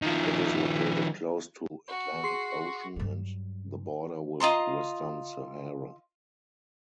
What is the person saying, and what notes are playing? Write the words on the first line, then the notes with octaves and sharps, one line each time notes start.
It is located close to Atlantic Ocean and the border with Western Sahara.
D#3 F3
F#4
G#4 C6 C7
G2 F#3
F4 D#5 A#5 C6